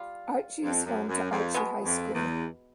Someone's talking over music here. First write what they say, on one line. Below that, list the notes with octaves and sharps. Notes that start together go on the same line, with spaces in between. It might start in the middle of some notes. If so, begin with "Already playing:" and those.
Archie is home to Archie High School.
Already playing: G3 F4
F2
F#2
F#2
F2
B2 G#3 B3
F2
E2